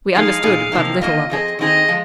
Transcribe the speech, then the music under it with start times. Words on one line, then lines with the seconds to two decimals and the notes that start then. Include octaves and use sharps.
We understood but little of it.
0.14 F3 G#3 D#4 G#4 F5
0.43 A#2 G#3 D#4 G#4
0.72 C3 F3 A#3 D#4
1.01 D#3 A#3 F4 D#5
1.30 F3 C4 G#4 D#5
1.59 D#3 C4 D#4 G#4 D#5
1.88 F3 G#3